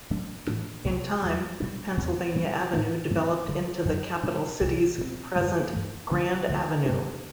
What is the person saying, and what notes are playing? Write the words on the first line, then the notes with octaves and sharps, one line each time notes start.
In time, Pennsylvania Avenue developed into the capital city's present "grand avenue".
A2 F#3 A3 D4
A2 E3 A3 D4
C2 B2 A3
E2 B2 F#3
B2 G3 D4
E2 B2 F#3 C4
B2 G3 C4
A2 E3 A3
G2 F#3 A3 C4
D2 D3 G3
F#2 D3 F#3
B2 G3 D4
C2 B2 G3
B2 G3 C4
F#2 D3 G3
G2 E3 A3
D2 D3 A3 D4
D2 D3 A3
G2 F#3 A3 D4